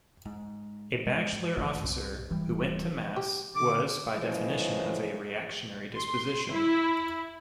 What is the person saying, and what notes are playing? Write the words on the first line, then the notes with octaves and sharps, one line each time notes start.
A bachelor officer who went to Mass was by definition of a reactionary disposition.
G#2
G#3
G#2
G#1 F#2 D3 A3
C2 G#2
D1 E3 G3
G4
D3 D6
F#2 A2 E3 F3 G#3
C6
E4